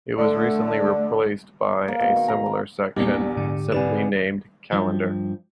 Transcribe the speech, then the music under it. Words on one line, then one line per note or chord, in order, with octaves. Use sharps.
It was recently replaced by a similar section simply named "Calendar".
D3 A3
A#3
B2
D#3
A#5
A#3
A#1 E2 G3 A#3 C4 G4
G#2 D3
C2 G3 B4 D5 G#5 E7
G2 F3